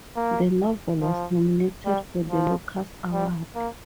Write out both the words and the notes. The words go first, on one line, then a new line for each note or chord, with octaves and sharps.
The novel was nominated for the Locus Award.
A#3
F3
G3
F3
G3
A#3